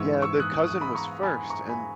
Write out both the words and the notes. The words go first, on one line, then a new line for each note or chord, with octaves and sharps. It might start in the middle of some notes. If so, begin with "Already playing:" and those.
Yeah, the cousin was first and
Already playing: G#2 E3 G#3 C#6 E6
C#6 E6
D#6 F#6
D#6 F#6
D#6 F#6
B5 D#6
A#5 C#6
G#5 B5
A#5 C#6
G#5 B5